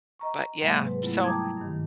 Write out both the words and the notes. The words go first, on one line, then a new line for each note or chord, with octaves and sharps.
but yeah, so
D#5 A#5 C#6
G#2 C3 F#3 G#3 A#3
G#2 B4
F#3 G3 A3 B3 E4 F4
G5 A5 A#5 D6 D#6 G#6
G2 D#3